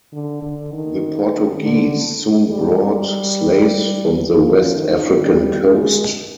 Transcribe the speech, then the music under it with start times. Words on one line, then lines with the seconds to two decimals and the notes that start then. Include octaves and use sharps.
The Portuguese soon brought slaves from the West African coast.
0.13 D3
0.42 D3
0.73 D#3
1.62 D3
2.51 G3
4.31 F3
4.77 D#3
5.20 G3
5.66 G#3